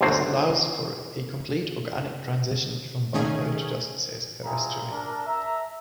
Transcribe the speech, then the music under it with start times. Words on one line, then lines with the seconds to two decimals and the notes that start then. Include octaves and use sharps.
This allows for a "complete organic transition" from vampire to dust, says Peristere.
0.01 G1 D2 D3 F#3 C5
3.14 D#3 A3 C#4 G#4
4.44 G3 C4 E4 F4 G#4 A#5
4.91 D4 A#4
5.26 E5 A#5